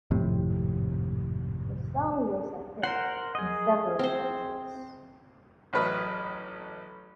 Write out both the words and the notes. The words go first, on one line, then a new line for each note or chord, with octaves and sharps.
The song was a hit in several countries.
G#1 F2 A2 C3
A#4 C5 F#5 C6
G#4 D#5
C4 C5
A1 F#3 A3 B4 D#5 F6